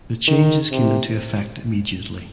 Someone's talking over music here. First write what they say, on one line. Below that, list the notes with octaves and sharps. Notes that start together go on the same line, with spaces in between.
The changes came into effect immediately.
D#3
C3